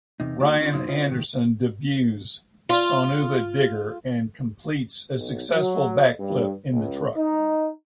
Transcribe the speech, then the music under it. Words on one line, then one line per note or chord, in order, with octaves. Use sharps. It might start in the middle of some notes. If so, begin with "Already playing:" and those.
Ryan Anderson debuts Son-Uva Digger and completes a successful backflip in the truck.
E2 C3 D#4
D#2 C3 A#3 D#4 F#4 D5
D#3 C#4 F4
F#2 B2 F#3 D#4 E4 C6
C#4 E4 F4 C5 C#5 D#5
C#2 G#2 D#3 G4
F4
B1
F#3
G2
C#2
D#4